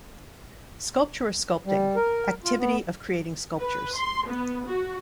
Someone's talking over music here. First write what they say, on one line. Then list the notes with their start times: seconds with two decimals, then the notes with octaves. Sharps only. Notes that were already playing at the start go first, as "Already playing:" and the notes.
Sculpture or sculpting - activity of creating sculptures.
1.66 G3
1.96 A#4
2.44 F4
2.59 B3
3.59 B4
3.96 C6
4.28 B3
4.67 F#4